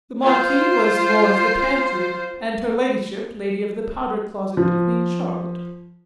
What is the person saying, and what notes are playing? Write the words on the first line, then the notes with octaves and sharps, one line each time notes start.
The Marquis was Lord of the Pantry, and her Ladyship, Lady of the Powder Closet to Queen Charlotte.
F4 C5
F3